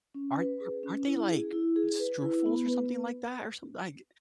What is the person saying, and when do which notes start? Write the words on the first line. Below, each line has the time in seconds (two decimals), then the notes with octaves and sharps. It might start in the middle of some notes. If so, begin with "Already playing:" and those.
Aren't are aren't they, like, strufels or something like that or something like
0.14 C#4
0.37 B4
0.60 G#4
0.83 C#4
1.07 E4
1.30 G#4
1.53 E4
1.76 G#4
1.99 B4
2.22 E4
2.46 B3
2.68 B4